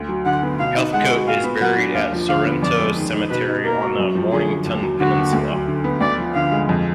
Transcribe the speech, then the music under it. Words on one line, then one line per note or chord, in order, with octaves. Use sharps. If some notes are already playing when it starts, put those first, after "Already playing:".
Heathcote is buried at Sorrento Cemetery on the Mornington Peninsula.
Already playing: D2
F#3
D3 F#5
B3
B2 F5
D#4
G#3 F#5
F#4
A#2 F5
B3
F#3 F#5
D4
D#2 F5
F3
D3 F5
B3
F2 D5
G#3
D#3
D#4
B2 B4
D#4
A#3 A#4
F#4
F#2
F3
D3 G#4
F#2
D#2
F#3
D3 F#4
D#2
D2
F#3
D3
B3
D2 D5
F3
D3 F5
G#3
F2